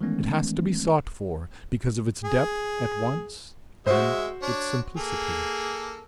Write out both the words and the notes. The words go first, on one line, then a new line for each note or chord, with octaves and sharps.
It has to be sought for because of its depth at once and its simplicity.
D#3 E3 G#3 A3 B3 C#4
G#4
G#3 F#4 C5 E5
D4 C#5
A#3 G#4 A4